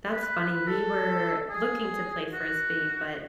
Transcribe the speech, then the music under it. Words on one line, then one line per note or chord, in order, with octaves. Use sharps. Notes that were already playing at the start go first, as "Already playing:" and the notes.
That's funny, we were looking to play Frisbee, but
B4
B4
A4
G#4
F#4